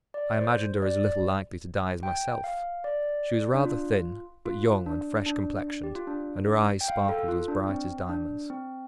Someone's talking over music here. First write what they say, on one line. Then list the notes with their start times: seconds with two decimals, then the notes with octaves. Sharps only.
I imagined her as little likely to die as myself. She was rather thin, but young, and fresh-complexioned, and her eyes sparkled as bright as diamonds.
0.14 D5
0.41 C5
0.82 D5
2.03 G5
2.44 F5
2.84 D5
3.54 D4
3.65 F4
4.46 F4
4.86 D4
5.26 D4
5.83 G4
5.95 F4
6.07 D4
6.81 G5
6.88 F5
7.09 A4
7.28 F4
7.48 D4
7.69 C4
8.09 D4
8.50 C4